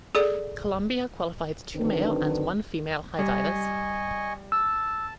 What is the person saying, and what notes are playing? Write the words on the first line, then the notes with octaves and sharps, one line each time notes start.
Colombia qualified two male and one female high divers.
G#4 A4 D5
D3 D#3 F#3 C4 D4 B4
G3 D#5 G#5 C#6
A5 E6